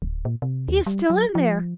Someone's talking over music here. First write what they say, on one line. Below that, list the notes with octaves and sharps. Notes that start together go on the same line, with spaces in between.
'He is still in there!
D1
A#2
C3
D#2
G3
F#3
F3